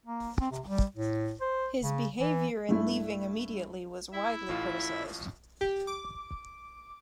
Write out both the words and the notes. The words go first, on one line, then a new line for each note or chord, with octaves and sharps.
His behavior in leaving immediately was widely criticized.
A#3
C4
C3
G3
A2
C5
C#3
E3
G2 A3 E4
E4 E5
A1 A2 F4
G4
D6